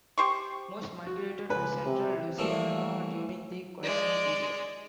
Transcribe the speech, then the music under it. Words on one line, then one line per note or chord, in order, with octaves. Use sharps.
Most migrated to central Louisiana during the colonial period.
G4 C5 C#6
F#4
C#2 B4
C3
E3 F3 G3 A3 A#3
G#3 D5